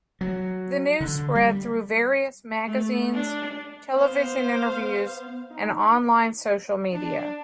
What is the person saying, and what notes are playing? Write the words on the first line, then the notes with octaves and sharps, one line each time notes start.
The news spread through various magazines, television interviews and online social media.
F#3
D3
G3
A3
D4
B3 C5 F5
D#4
D4